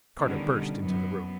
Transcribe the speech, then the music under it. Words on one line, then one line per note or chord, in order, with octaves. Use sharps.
Carter burst into the room.
B2 D3 D#3 G3 C#4
F#2 F#3 B3